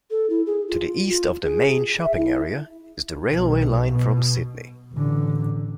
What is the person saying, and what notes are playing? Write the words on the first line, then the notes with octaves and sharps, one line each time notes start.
To the east of the main shopping area is the railway line from Sydney.
A4
E4
G#4
F4
F4
G#4
E5
E4
B1
B2
A1 D3